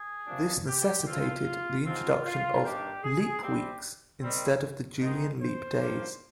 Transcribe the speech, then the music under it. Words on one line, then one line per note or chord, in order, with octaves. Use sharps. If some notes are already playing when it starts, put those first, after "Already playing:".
This necessitated the introduction of "leap weeks" instead of the Julian leap days.
Already playing: G#4
C3 F3 A#3 D4
G4
G2 F3 C4 F4
G#2 F3 C4 F4
F4
G2 D#3 A#3 D4 G4
G#4
C3 G3 C4 G4
D#3 G3 C4
G#2 D#3 G#3 D#4
C5
G2 F3 A#3